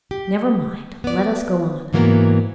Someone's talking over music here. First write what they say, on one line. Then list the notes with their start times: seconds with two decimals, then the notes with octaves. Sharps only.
"Never mind; let us go on."
0.11 G4
1.04 B3 D5
1.93 G#2 E3 F#3 A#3 B3 A#4